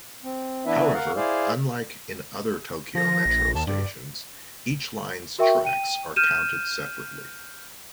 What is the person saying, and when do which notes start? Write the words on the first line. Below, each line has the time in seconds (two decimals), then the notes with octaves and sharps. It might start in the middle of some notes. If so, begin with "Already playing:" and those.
However, unlike in other Tokyo Metro stations, each line's tracks are counted separately.
0.24 C4
0.66 E3 B3 D4 E4 B4 E5
0.94 A#4 F5 F#5
1.16 E4 G#4 C5 D5 F5
2.95 F3 A#6
3.26 A#1
3.55 D#2 A5
3.67 G2 D5
5.39 F#4 A#4 E5 G5 C#6
5.65 G5 D#7
6.16 F6 G6 D#7 E7